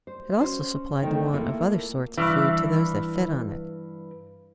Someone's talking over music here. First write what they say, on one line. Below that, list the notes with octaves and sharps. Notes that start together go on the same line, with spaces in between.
It also supplied the want of other sorts of food to those that fed on it.
C5
C#4 F#4 C5
D#3 A3 C4
A3 A#3 E4 F4 A#4
G2 E3